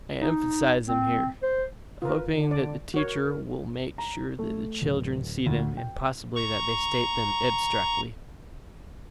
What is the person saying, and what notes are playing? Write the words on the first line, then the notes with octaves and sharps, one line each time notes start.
I emphasize them here, hoping that the teacher will make sure that the children see them, and possibly that they state them abstractly.
D#4
C4
C5
F4 A#4 B4
D3
D5
F#4 A#4 C#5
A#5
A3
D1
D2
G5
A#5 C#6